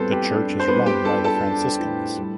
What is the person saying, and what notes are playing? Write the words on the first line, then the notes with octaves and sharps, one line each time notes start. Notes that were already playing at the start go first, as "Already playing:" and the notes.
The church is run by the Franciscans.
Already playing: A2 G3 B3 C4 A4 B4 C5
G4
D4 A4
C5
G3 B3 B4
G4 G5
D4 A4 A5
A4 A5
D4
A2
G3